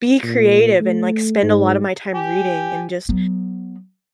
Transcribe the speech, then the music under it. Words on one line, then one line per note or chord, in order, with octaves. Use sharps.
be creative and, like, spend a lotta my time reading and just
A#2
A3
G#2
G4 G#5
F#3 B3